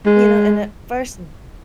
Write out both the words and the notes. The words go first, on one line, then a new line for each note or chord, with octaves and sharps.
you know, and at first
G#3